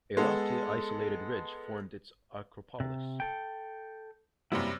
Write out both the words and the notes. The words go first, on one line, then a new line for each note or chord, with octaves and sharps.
A lofty isolated ridge formed its acropolis.
G#3 B3 A4
C3
A4 G5
F#2 C3 G3 A#3 B3 E4